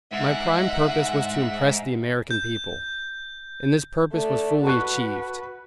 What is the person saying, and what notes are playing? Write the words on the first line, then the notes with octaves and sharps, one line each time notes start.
My prime purpose was to impress the American people; and this purpose was fully achieved.
G#2 E5 F#5
G6
A3 D5
F#4 B4 A5 C#6 F#6